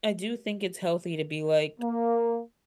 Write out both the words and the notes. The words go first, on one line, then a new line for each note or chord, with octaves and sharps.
I do think it's healthy to be like,
A#3